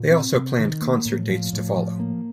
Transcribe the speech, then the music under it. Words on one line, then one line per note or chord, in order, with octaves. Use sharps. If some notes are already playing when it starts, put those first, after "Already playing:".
They also planned concert dates to follow.
Already playing: A#2
C4
C3
D#3
A#3
A2
F3
A2
F3
A#3